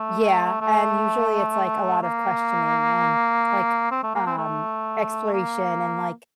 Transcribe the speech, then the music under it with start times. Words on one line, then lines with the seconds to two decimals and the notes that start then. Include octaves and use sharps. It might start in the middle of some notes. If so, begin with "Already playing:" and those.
Yeah, and usually, it's, like, a lot of questioning and, like, um, exploration and, like,
Already playing: A3
0.61 A3
2.03 A#3
3.91 C4
4.03 A3
4.15 A#3
4.27 C4
4.38 A3
5.33 A#3